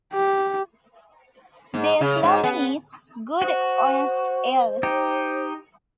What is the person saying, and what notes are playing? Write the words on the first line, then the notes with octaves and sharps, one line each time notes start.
Their slogan is "Good Honest Ales".
G4
G#2
C#3
G#2
B3
F#4 C5
D#4 G4